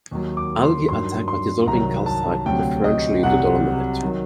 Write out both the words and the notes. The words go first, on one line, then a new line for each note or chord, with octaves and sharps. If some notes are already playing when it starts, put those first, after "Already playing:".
Algae attack by dissolving calcite preferentially to dolomite.
D#2 D#3 F#3
D6
C6
G2 D#3 F#3 C6
C6
C2 C3 D#3 F#3 A#5
A5
D2 C3 F#3 G5
D#5
C2 C3 F#3 F#5
D#3 F#3